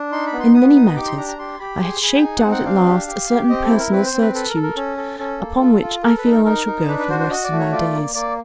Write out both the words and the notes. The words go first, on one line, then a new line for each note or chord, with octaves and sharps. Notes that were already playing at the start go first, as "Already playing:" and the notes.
In many matters I had shaped out at last a certain personal certitude, upon which I feel I shall go for the rest of my days.
Already playing: D4
D#4 C6
B5
B3
C6
B3 D#6
D#4 D#6
G4 D6
C6
D4 A#5
A#5
G4 C6
G4 B5
G#4 C6
G#4 B5
G5
D#4 G#5
F#5
C4
F#5
D4 F5
G4
G4
G4
C4 D#5
A4
E4
A#4
C4 B4
C5
C4
B4
A4 B4
A#4
A4
A#4
C#4
A4
C#4 A4
A#3
F4
F4
A4 A#4
B4
D#4
A#4
D#4 A#4
D#4
D4 B4
B4
F#4 C5
C5
F#4 D#5
D5
A3
C#5
F4 D5
A#3
A#3 D5